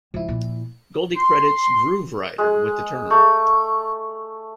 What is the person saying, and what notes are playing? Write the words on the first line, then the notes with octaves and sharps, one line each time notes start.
Goldie credits Grooverider with the term.
G#1 C#2 F3 E4
A#2
C6
G#3
A3